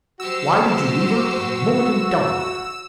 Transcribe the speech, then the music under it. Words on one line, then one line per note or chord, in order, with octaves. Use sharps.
"Why did you leave her a moment in doubt about it?"
F#3 F#4 G4 C5 E6